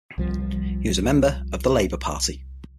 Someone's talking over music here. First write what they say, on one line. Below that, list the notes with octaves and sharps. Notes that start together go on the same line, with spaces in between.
He was a member of the Labour Party.
C2 F3 G3